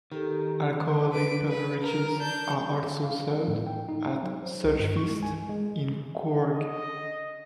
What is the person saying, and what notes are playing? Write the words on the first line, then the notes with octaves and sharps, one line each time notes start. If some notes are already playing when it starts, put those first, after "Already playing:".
Alcoholic beverages are also served at such feasts in Coorg.
D#3 G4 A4
B4 D7
B4
A#4
D4 G6
F5
A2
G5
D#4
F#3
C5
C2
G2
C#6
G#3
G#5
G#3
D#5